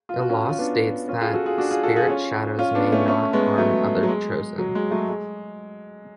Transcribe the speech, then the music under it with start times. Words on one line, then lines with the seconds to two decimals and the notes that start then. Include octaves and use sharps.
A law states that Spiritshadows may not harm other Chosen.
0.09 F4
0.19 F#4
0.30 C#4 F4
0.49 F4
0.59 B3 D4
1.08 C#4 F4
1.21 F4 G#4
1.34 F#4 A4
1.46 F4 G#4
1.58 D4 F#4
1.71 F4 G#4
1.83 F#4 A4
1.96 F4 G#4
2.08 C#4 F4
2.59 C#4 F4
2.75 B3 D4
2.92 A3 C#4
3.08 A3 C#4
3.33 G#3 B3
3.58 F#3 A3
4.03 F#3
4.08 G#3
4.58 F#3
4.75 G#3
4.91 F#3 A3
5.09 G#3